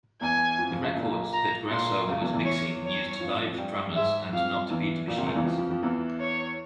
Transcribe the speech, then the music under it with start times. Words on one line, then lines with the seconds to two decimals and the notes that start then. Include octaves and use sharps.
The records that Grasso was mixing used live drummers and not beat machines.
0.21 E2 E3 G#5
0.58 F2 F3
0.71 F2 F3
0.83 C#2 C#3
0.95 A#1 A#2
1.33 A#5
1.70 A#1 A#2 C6
2.08 C#2 C#3
2.21 E2 E3
2.33 E2 E3
2.45 C#5
2.83 C#5
3.20 F2 F3
3.45 F2 F3
3.58 G2 G3
3.95 G#2 G#3 E5
4.32 F2 F3 F5
4.70 E2 E3
5.08 A#1 A#2
5.17 C2 C3
5.26 C#2 C#3
5.35 E2 E3
5.45 F2 F3
5.58 F2 F3
5.70 F2 F3
5.82 E2 E3
6.20 C#5